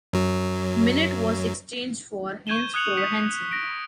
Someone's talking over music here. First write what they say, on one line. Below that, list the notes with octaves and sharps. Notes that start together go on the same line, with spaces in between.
Minute was exchanged for Hans Fróði Hansen.
F#2 F#3
C#6 G6 G#6 D#7 E7 G7
D#6 F#6 G#6 C#7 F7 F#7
D#6 B6 C#7
A#6 D7